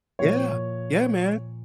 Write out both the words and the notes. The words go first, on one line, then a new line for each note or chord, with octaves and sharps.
Yeah. Yeah, man.
A#2 F3 A#3 C#5